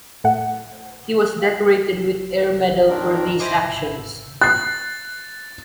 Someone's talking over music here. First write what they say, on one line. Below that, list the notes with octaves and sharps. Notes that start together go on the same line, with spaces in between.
He was decorated with Air Medal for these actions.
A2 A3 F#5
G#2 D#3 C4 D4 A#4
E4 C5 D#5 G#5 D6 D#6
E4
F#6 A6 C7